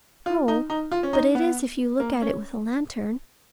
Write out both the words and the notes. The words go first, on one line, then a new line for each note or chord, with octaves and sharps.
Oh, but it is if you look at it with a lantern.
F4
D#4
D#4
F4
C#4
D#4
B3
A#3
C#4